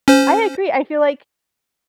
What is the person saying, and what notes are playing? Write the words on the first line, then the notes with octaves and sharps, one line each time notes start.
I agree. I feel like
C#4 C5